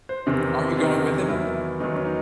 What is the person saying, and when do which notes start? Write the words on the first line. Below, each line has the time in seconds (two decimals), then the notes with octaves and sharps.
Aren't you going with him?
0.09 C5
0.26 E2 C3 D#3
0.77 E2 C3 D#3
1.28 E2 D#3 F#3 E4
1.80 E2 D#3 F#3 D#4
1.96 C#4
2.05 D#4